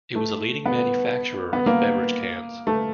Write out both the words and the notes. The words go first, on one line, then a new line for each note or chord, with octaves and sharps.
It was a leading manufacturer of beverage cans.
A3
B3
B3
A#3
A3